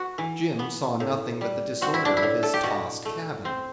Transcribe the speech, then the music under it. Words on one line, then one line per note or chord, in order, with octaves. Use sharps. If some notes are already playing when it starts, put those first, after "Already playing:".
Jim saw nothing but the disorder of his tossed cabin.
Already playing: B3 F#4
E3
B3
A2
G3
C4 F#4
E4
D4
E4
A2
A4
G4
B2 F#4
A3
C4